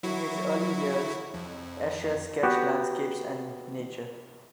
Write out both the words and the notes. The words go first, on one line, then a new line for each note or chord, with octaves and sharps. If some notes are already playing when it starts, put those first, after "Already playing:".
In his early years, Escher sketched landscapes and nature.
F#3 E4 F#4
F2
B3 F#4 G4